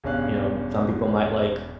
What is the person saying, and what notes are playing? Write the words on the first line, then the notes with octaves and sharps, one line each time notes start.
you know, some people might like
E1 E2 G2 C#4 F5 F#6